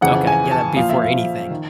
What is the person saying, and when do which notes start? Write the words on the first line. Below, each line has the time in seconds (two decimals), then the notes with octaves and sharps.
Okay. Yeah, that'd be for anything.
0.01 F2 C#3 E3 F#5
0.27 G#5
0.52 A5
0.76 A#2 F3 F5
0.90 E5
1.02 F5
1.50 D#3